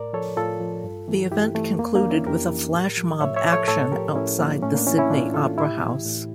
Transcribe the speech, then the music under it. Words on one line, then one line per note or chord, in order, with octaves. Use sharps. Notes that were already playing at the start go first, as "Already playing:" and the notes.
The event concluded with a flashmob action outside the Sydney Opera House.
Already playing: A2 A#4 D5
F3 A4 C#5
A2 F4 A4
F3
G2
E3
G2 E4 G4
E3 A3
F2 A#3
A#3 D4
E3
C#4 E4
F2 G4 A#4
E3
A2
F3
A2 C#5 E5
C#5 E5
F3
A4 C#5
A2 A4 C#5
F3 G4 A#4
A2 C#4 E4
F3 A#3
A2 A3 C#4
A#3 D4
E3 C#4 E4
C#4 E4
A2 D4 F4
E3 F4 A4
A2 E4 G4
E3
A2